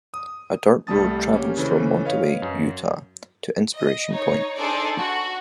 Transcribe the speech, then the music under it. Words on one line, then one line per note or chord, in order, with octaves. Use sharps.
A dirt road travels from Mantua, Utah to Inspiration Point.
D#6
C2 G3 A3 A5 D#6 A6
A#3 C#4 G4
C#3 E3 C#4 A4 C5
B4 C#5 D#5 F5
F#2
D#5
D#4 C#5
D4 D#4 G#4 A4 C5 D5
F#4